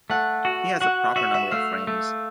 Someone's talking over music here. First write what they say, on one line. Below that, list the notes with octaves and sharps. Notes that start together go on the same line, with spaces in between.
He has a proper number of frames.
A3 F#5
F#4
F#4 F#5
F#4 E5
E5
A3 F5
A3